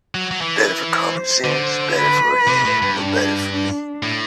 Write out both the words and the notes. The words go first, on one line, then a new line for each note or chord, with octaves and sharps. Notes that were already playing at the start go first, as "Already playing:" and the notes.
Better for common sense, better for him, better for me.
F#3
F#3
E3
C5
D3
B4
C3
A2
G2
D4
D4
A2